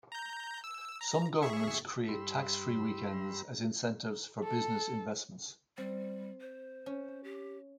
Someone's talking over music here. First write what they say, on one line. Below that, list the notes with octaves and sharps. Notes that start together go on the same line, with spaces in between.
Some governments create tax-free weekends as incentives for business investment.
A#5 G6
E6
A#5
G#4 E5 C#6
G2 G4 B5 C6 E6
A4
G3 C4
C5
C#4
G4